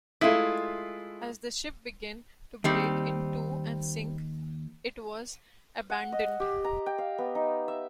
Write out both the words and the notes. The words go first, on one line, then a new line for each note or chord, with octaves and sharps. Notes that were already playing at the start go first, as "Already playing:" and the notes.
As the ship began to break in two and sink, it was abandoned.
G#3 A3 E4 F4
D#2 G3 C4 D#4
F#5
D#5
G4
A#5
G5
F5
B3
D#4
E5